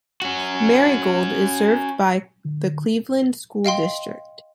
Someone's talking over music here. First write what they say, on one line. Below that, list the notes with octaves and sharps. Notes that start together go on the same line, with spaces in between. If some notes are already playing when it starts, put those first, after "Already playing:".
Merigold is served by the Cleveland School District.
C#4 F#4
D#5 F5 G5 C6